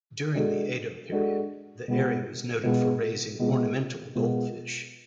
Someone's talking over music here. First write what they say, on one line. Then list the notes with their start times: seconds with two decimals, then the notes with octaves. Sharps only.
During the Edo period, the area was noted for raising ornamental goldfish.
0.35 G#3 D4 F#4 A4
1.11 G#3 D4 F#4 A4
1.88 B2 G#3 B3 F4
2.63 B2 G#3 B3 F4
3.39 B2 G#3 B3 F4
4.15 B2 G#3 B3 F4